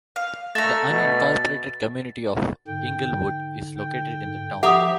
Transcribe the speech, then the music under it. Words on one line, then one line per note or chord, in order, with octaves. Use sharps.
The unincorporated community of Englewood is located in the town.
F5
A3 E5 A#5 A6
B2
G#2 D3 G5
G5
F3 G4 E5 F#5 A#5 D#6